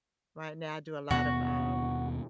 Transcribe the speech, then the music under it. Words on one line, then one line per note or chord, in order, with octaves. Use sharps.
right now I do a lot of, um,
D#2 B2 B3 F#4